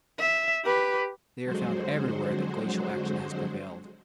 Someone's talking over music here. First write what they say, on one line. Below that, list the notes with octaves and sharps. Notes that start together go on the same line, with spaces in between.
They are found everywhere that glacial action has prevailed.
E5
G4 B4
F2 D3 F#3 G#3 F#4 C5